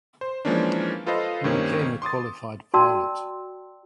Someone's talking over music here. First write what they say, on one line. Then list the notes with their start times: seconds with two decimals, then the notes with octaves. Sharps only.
He became a qualified pilot.
0.21 C5
0.45 E3 F3 G#3 A#3 C#4 D4
1.06 F4 A4 B4 C5 D#5 F5
1.44 G2 D#3 A#3 C4 C#4
2.02 C6 D6 D#6 A6
2.74 F#4 D5 G5 A5 C6 E6